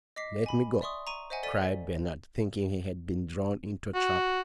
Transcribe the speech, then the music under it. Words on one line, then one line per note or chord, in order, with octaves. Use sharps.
"Let me go," cried Bernard, thinking he had been drawn into a trap.
D#5 D6 B6 C7
G#5 B5
D5 E5 C6 C#6 D#6
A#5 C#6 D#7
C5 D#5 E5 F#5 G#5
A4 D5 A6 B6 D#7
F#4